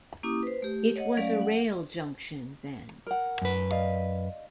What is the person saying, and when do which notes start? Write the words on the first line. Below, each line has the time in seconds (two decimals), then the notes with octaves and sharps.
It was a rail junction then.
0.23 A#3 C#4 E4 G4 D6 D#6
0.43 B4 C5
0.62 A3 G4
0.96 C#5 D#5 F#5
1.17 F#3 A3 C#4 D5 F5
1.41 F#5
3.07 A#4 F#5
3.42 F#2 B4
3.71 D5 D#5 F5